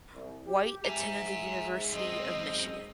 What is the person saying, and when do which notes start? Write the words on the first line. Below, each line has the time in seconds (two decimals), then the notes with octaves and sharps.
White attended the University of Michigan.
0.14 C2
0.47 G4
0.84 G#2 E5 G#5 A#5
1.92 F#2 C4 D#5